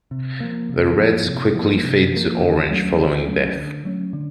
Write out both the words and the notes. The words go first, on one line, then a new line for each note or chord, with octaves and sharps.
The reds quickly fade to orange following death.
C3
F3 A#3
C3
F3 A#3
C3
F3 A#3
C3
F3 A#3
D3
F#3 A3 C#4
D3
F#3 A3 C#4
D3
F#3 A3 C#4
D3